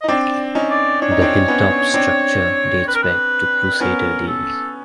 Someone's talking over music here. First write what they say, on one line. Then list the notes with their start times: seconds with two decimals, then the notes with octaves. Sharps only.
The hill-top structure dates back to crusader days.
0.01 D#5
0.04 D#4
0.08 C4 D4 D5
0.55 C#4 D#4
0.70 D5
1.02 D4 C#5
1.11 D#4
1.21 C4 D4
1.48 B3 C#4
1.94 C4 D4
2.88 B4
2.95 A#4
3.03 B4
3.80 B3 C#4 A#4
4.28 A4